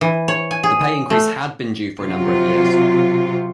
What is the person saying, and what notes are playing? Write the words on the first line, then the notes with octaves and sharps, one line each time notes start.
The pay increases had been due for a number of years.
E3
C#5
G#5
G#4
A3
C3 F#3 F4